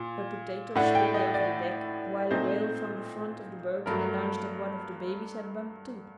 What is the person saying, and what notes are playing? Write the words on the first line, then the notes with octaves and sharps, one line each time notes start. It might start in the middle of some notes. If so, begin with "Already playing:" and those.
Her potatoes spilled over the deck, while a wail from the front of the boat announced that one of the babies had bumped, too.
Already playing: A#2
A2 A3 D4 F#5
G5
D#5
D5
A#2 A3 C4 D#4 C5
G2 F#3 A3 A#4